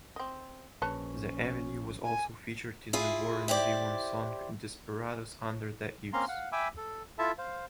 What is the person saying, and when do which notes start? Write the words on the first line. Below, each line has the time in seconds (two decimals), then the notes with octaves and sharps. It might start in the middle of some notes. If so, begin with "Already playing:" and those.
The avenue was also featured in the Warren Zevon song "Desperados Under the Eaves".
0.16 C4 D#5
0.82 A#1 C#4 B4 C#5 A5
2.03 G#5
2.93 E4 F4 G#4
3.48 E4 G4 C5 D5
6.13 A#3 C4 C#4 F5 A#5 C6
6.28 F5 F#5
6.52 E5 G5 G#5 B5 D6 E6
6.77 A4
7.18 E4 F4 A4 E5 A5
7.38 C5 F5